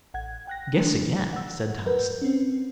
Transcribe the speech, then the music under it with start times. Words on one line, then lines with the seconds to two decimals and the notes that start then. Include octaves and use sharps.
"Guess again," said Tennyson.
0.14 A1 F#5 G#6
0.47 G5 F#6 A#6
0.77 E3 A3 D4
1.33 F#5 E6
1.86 A#4 B4 G6
2.22 C4 C#4